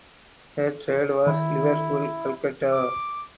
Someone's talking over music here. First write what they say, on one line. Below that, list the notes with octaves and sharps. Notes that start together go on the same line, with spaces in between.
Her trade was Liverpool–Calcutta.
D#3 E4
D6